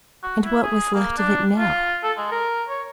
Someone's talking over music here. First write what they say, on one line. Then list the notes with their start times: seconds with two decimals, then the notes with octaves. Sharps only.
And what was left of it now?
0.23 F#4
0.44 E4
0.63 G#4
0.94 A#3
1.17 D4
1.58 F4
2.03 A4
2.18 G#3
2.31 A#4
2.68 C#5